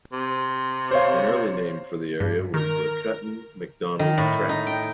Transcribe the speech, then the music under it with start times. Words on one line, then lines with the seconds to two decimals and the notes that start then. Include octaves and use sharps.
An early name for the area was the Cutten-McDonald Tract.
0.12 C3
0.91 C5 C#5 F5
2.20 G2
2.54 D#3 A#4
3.99 D#3
4.18 A2
4.49 D#4
4.67 G5